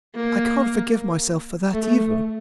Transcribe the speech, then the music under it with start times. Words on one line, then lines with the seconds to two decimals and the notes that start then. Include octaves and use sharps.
I can't forgive myself for that, either.
0.15 A#3
1.74 A3